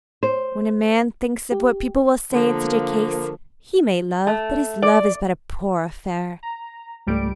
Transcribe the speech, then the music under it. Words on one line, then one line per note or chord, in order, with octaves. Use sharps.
When a man thinks of what people will say in such a case, he may love, but his love is but a poor affair.
C5
G4
D3 F3 A#3
A3
D5
A#5
C#2 G#2 G3 A3 D7